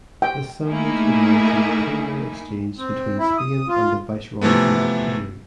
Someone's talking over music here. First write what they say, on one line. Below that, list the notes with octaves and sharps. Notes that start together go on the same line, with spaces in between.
This sandwich arose from the culinary exchange between Spain and the Viceroyalty of Peru.
G5
A3 A#3 D#4 E4 G#4
C4
E4
D#6
F4
C3 E3 F3 A3 B3